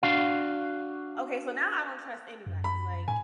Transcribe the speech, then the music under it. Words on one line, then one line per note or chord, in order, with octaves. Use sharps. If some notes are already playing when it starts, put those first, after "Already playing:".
"Okay, so now I don't trust anybody, like"
D4 F#4 F5
F#2
B5
A2 G#5